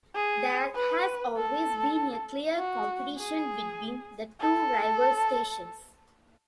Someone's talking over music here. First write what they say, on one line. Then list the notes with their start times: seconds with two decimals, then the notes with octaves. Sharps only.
There has always been a clear competition between the two rival stations.
0.15 G#4
0.75 B4
1.36 A4
2.58 F#4
3.18 G#4
4.41 A4